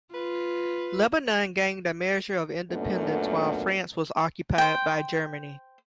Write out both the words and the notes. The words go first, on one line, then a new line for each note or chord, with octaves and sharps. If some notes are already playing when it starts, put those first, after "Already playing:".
Lebanon gained a measure of independence while France was occupied by Germany.
F4 B4
F#2 A#2 A3 B3 D4
C5 G5